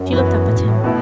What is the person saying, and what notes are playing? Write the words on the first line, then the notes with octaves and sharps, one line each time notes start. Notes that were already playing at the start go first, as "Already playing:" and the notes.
She looked up at him.
Already playing: F#2
E3 B3 F#4
A2
F#2
A2
B2 B3 E4